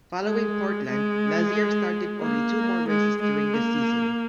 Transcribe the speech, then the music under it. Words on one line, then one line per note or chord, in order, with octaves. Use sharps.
Following Portland, Lazier started only two more races during the season.
G#3
G#3
A#3
G#3
G#3
A#3